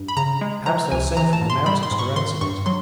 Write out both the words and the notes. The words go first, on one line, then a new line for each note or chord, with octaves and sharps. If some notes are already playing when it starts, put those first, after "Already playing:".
Perhaps they'll send from the mountains to ransom it.'
Already playing: G2
B5
C#3 A#5
G#3
F3 A#5
C#2 G#5
E3 A#5
A5
G#2
C6
G3 B5
C6
G#2
C#6
D#3 C6
G2 C#6
F#3 C6